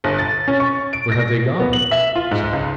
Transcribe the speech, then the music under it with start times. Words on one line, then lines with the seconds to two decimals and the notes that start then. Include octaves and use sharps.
"Where have they gone?" said I.
0.04 G1
0.18 A6
0.48 C#4
0.60 C#6
0.93 D7
1.12 A#6
1.60 B3
1.73 F#7
1.91 E5
2.16 F4
2.31 G#2
2.53 C#2